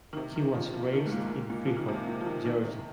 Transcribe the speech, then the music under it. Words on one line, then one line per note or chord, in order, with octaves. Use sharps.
He was raised in Free Home, Georgia.
D#3
C3
D#3
F3
F3
D#3
G#2
A#2
G#2
A#2
F3
D#3
C3
A#2
F3
D#3
D#3
C3